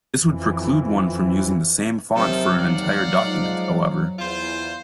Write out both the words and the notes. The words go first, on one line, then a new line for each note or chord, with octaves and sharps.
This would preclude one from using the same font for an entire document, however.
F2 E3
C3 D#3 F3 F#3 A4
D#2 D5 F5 F#5
F3 F#3 G#3 D#4
E2 F4 C5